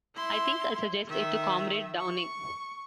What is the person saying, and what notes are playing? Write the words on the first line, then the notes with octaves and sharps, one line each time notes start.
I think I'll suggest it to Comrade Downing.
E4 C6
D#3 E5
C#6